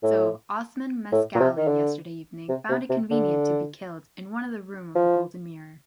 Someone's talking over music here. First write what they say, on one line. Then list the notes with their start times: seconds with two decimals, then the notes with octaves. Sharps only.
So, Osman Mascali yesterday evening found it convenient to get killed in one of the room of the Golden Mirror.
0.03 A2
1.12 A2
1.35 A#2
1.40 C3
1.57 D#3
1.67 D3
2.49 C3
2.69 C3
2.89 C3
3.10 D3
4.95 F3